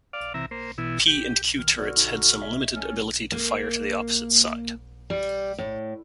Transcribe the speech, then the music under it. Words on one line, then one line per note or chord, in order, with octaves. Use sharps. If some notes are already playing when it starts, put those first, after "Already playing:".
'P' and 'Q' turrets had some limited ability to fire to the opposite side.
D5 F5
C3 E3 E5 A#5
A#3 C5
B2 E3 E4
G4
D#2 F6
D3 B3 F#4 D5 F6
D#4
C#5 D#5 E5
C#4 A4 F6
A#3
G3
A2